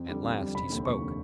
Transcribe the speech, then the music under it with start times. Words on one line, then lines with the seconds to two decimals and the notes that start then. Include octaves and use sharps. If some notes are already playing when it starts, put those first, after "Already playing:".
At last he spoke.
Already playing: F2
0.09 D3 G3
0.24 F2
0.39 D3 G3
0.54 F1 B5
0.70 D#2 D3
0.85 F1 C#6
1.01 D3